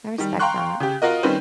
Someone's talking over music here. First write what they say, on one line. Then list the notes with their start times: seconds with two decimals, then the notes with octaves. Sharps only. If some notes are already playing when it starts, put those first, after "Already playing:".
I respect that.
0.18 D#3 G3
0.39 F5 G5 A#5 C6 C#6 F#6
0.80 C#3 G4
1.02 F4 F#4 A#4 D#5
1.23 D#3 G3 C4 C#4 B4 C5